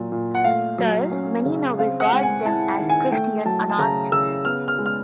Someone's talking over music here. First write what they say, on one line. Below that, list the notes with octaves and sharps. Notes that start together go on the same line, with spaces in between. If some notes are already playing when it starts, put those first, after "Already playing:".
Thus, many now regard them as Christian anarchists.
Already playing: A#2 F#3
A#2
F#5
A3 F5
F#3
C#4
C#3
C4 F5
F#5
G#3
G#5
E4 A5
D#3
G#5
A3 G5
F#3 A5
A5
C#3 A#5
C#3 E6
B3 F6
F6
G#3
F6